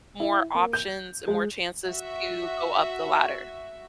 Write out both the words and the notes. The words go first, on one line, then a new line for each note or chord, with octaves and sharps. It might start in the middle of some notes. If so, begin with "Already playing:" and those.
more options, and more chances to go up the ladder.
E4
A#3
G6
G#3
F#4 E5